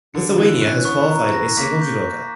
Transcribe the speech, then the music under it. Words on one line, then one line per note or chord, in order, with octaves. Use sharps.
Lithuania has qualified a single judoka.
D3 C#7
E3 F#6
C#4 F#6
B3 C#6
A#5
A#6
A#3 B6
G6
G6